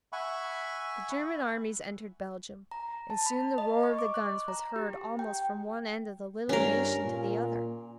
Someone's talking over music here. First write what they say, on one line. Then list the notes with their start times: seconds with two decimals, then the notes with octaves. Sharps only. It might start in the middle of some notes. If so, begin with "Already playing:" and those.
The German armies entered Belgium, and soon the roar of the guns was heard almost from one end of the little nation to the other.
0.13 E5 F#5 G#5 B5 C#6
2.71 A#5
3.10 A5
3.26 B5
3.58 D#5
3.83 C#6
3.99 D6
4.14 F#6
4.48 A#5
4.76 G4
5.19 G5
6.49 G2 C#4 A#4
7.04 A#2